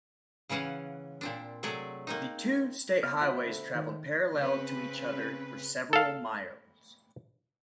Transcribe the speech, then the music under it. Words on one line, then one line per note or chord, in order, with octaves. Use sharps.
The two state highways traveled parallel to each other for several miles.
C#3 E3 C#4 F5 F#5
A#2 C4 D4
C3 F#3 A3 G#4 D5
A#3 C4 D#4
B3 F6
F3 F#4 C5 E5 B5
B2 D3 A3
D#3
C#3 C4 B4
A4 F5